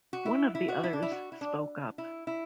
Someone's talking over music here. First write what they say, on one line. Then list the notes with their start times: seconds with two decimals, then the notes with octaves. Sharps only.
One of the others spoke up.
0.13 F#4
0.26 E4
0.55 E4
0.68 F#4
0.83 E4
0.93 D4
1.03 E4
1.12 F#4
1.32 E4
1.41 D4
1.98 E4
2.27 E4